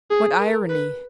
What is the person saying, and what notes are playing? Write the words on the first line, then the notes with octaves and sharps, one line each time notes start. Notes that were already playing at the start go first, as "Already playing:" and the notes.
What irony!
G#4
A#4
B4